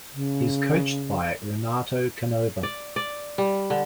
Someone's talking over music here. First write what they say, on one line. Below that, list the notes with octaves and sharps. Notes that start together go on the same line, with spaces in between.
He is coached by Renato Canova.
C#3
D5
D5
G3
D3